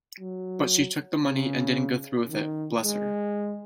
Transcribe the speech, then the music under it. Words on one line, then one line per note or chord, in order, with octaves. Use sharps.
But she took the money and didn't go through with it, bless her.
F#3
C#3
D#3
G#3